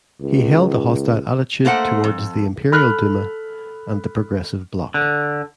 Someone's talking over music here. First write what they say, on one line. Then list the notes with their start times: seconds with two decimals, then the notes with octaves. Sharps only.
He held a hostile attitude towards the Imperial Duma and the Progressive Bloc.
0.22 C#2
1.65 A3 A#3 C5 F#5
2.04 F2
2.72 A4 B5 F6 F#6
4.94 D3